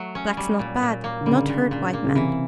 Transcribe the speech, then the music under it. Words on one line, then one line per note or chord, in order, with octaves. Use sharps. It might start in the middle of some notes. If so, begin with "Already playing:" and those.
Blacks not bad, not hurt white man.
Already playing: F#3 A3
C#4
G3
A#2
A#2
A#3
D3
C#3 G3
A#2
A#2
A#3
C#3
C3 E3